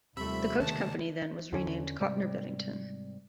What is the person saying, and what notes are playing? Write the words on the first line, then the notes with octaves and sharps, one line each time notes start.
The coach company then was renamed "Cotner-Bevington".
D#2 C3 F3 G3 A3 E5 B5
D#2 C#3 G#3 A5
E2 D3 C#4
G#2 C3 G3